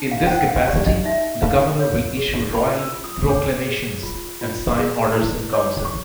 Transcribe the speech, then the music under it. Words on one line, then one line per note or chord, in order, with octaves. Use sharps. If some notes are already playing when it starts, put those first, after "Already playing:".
In this capacity, the governor will issue royal proclamations and sign orders in council.
Already playing: D#4
F5
G5
C5 F#5
F5
G4 D5
D#5
D#4 E5
D#4 F5
C#5
G#4
F4 B5
E6
F4
D#6
C#5 D6
G#4
F4
F4
G#4
E4
C#5 D6
C#6